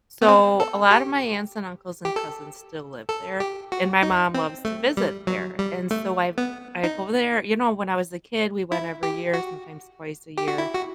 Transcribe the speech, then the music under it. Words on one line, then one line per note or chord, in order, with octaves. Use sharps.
so, a lot of my aunts, and uncles, and cousins still live there, and my mom loves to visit there, and so I I go there you know, when I was a kid, we went every year, sometimes twice a year,
B3
C4
A4
G4
G4
A4
A4
G4
F#4
D#4
C4
A3
G3
F#3
G3
A3
B3
D#4
E4
G4
F#4
G4
F#4
E4
F#4